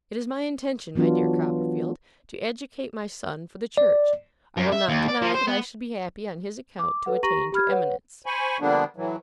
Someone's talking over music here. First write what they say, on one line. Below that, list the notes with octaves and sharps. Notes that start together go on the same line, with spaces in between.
It is my intention, my dear Copperfield, to educate my son for the Church; I will not deny that I should be happy, on his account, to attain to eminence.'
E3 F#3 B3 D4 F4
D5
F#2
E5
D#2
D5
F3
C5
B3
D6
A4 B4 F#5
G4 A#5 C#6 A#6 D#7 F#7
G4 B5 F6 G#6
B4 C#5 F#5
C5 G#5 B5 C#6
D3 F3 G3 A#3 B3 D4
A2 E3 F#3